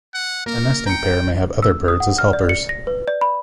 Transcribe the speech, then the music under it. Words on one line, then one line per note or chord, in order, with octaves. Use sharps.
A nesting pair may have other birds as helpers.
F#5
A#3 A#4
G5 A#5 C#7
E6
D#6
F#5
F6
D5
C#7
A#6
B4
D5
B5